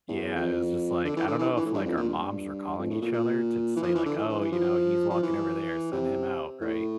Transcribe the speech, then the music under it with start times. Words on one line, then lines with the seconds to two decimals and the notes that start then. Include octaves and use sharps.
Yeah, it was just like, I don't know if, like, our moms were calling each other to t say, like, "Oh, you know, he's walking over there. Send him out." Right?
0.08 E2
0.35 F2
1.04 D3
1.17 E3
1.27 D3
1.39 E3
1.56 E3
1.66 A2
1.74 G2
1.85 F2
1.97 A#2
2.09 G2
2.78 F2
2.90 A2
3.02 A#2
3.13 A#2
3.76 E3
3.83 F3
3.95 E3
4.05 D3
4.18 E3
4.29 E3
4.41 E3
4.52 F3
5.10 F3
5.22 E3
5.92 C3
6.61 A2